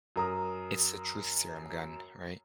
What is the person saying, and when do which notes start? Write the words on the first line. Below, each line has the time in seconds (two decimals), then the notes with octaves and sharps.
It's the truth serum gun, right?
0.16 F#2 A#4 D#6